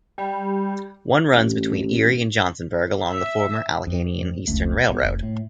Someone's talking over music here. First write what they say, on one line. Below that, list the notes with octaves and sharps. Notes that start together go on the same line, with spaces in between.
One runs between Erie and Johnsonburg along the former Allegheny and Eastern Railroad.
G3
A1
E5
F2
F1 C#2 A3
C2 B2
F1
A2